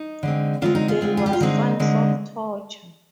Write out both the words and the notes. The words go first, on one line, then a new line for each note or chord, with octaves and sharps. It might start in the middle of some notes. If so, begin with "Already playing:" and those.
There was signs of torture.
Already playing: D#4
D3 G#3 C4
D3 G#3 C4 D4 F4
D#4
F4 G#4
D3 G#3 C4
G#4
G4
F4
D3 G#3 C4 D#4
D3 G#3 C4